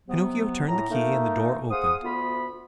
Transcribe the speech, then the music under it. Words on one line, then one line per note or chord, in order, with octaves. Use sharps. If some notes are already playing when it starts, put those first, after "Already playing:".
Pinocchio turned the key and the door opened.
C3 F#3 B3
A2 A#5
A3 A#3 D#4 A#4
G#4 C5 F5 F#5 D#6
D2 B3 F4 B5